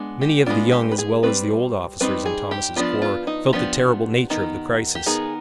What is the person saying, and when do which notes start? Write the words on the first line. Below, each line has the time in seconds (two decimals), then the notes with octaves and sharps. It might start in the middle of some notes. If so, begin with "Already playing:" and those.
Many of the young as well as the old officers in Thomas' corps felt the terrible nature of the crisis.
Already playing: G#3 B3 D4
0.21 G4
0.46 G#3 B3 D4 F4
0.72 G4
0.92 B4
0.98 G#4
1.23 G3 C4 D#4 B4
2.00 G3 C4 D#4 B4
2.25 G#4
2.51 G4
2.76 F3 B3 D4 F4
3.02 F4
3.27 D#4
3.53 F3 B3 D4 G4
4.30 D#3 B3 D#4
4.95 G4
5.06 D#3 B3 D#4 G#4